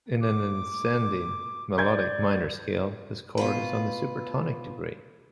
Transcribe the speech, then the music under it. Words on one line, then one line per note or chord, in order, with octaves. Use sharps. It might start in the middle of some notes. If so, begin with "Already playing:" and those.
In an ascending melodic minor scale, this chord is on the supertonic degree.
D6
D5 G6 G#6
B2 F4 B4